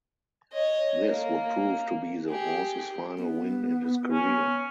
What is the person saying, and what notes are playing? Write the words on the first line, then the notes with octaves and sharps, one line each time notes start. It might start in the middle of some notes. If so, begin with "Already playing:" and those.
This would prove to be the horses final win in his career.
C#5 D#5
A#3
G4 G#4
B3
C#4